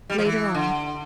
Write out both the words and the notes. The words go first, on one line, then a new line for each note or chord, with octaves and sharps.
"Later on."
G3
F3
E3
D3